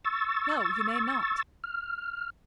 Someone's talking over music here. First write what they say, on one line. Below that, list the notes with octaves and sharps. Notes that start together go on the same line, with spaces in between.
"No; you may not."
C#6 E6 A6
F6